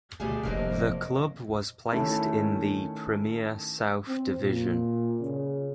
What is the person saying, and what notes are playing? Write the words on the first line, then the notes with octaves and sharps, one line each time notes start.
The club was placed in the Premier South Division.
D2 B2 G3 A3 G#4
F1 C3 A#3 C4 D4 D#5
D#3 A3 C#4 E4
C4
A#2
C#3